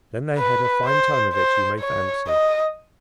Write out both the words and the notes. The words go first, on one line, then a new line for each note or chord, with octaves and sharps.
Then they had a fine time of it, you may fancy.
B4
C5
C5
C#5
D#5